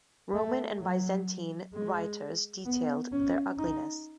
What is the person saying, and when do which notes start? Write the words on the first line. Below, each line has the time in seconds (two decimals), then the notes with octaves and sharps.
Roman and Byzantine writers detailed their ugliness.
0.34 A3
0.81 F#3
1.73 G#3
2.66 B3
3.12 C#4
3.58 D#4